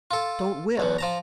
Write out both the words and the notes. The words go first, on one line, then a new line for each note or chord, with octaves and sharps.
"Don't whip."
F4 A4
B1 E2 B2
F3 A5 A#5